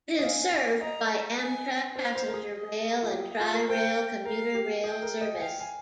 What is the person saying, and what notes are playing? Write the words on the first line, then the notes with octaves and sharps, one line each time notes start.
It is served by Amtrak passenger rail and Tri-Rail commuter rail service.
D#5
F5 G#5
F5
D#5 A#5
G#5
C5 F5
C5
A#4
G#4
D#5
F4
G4
F4
A#4
C5 G5
A#4
C5
A#4 F5
G4
G#4 G5
A#4
D#5
G#5
F5 G5
G#5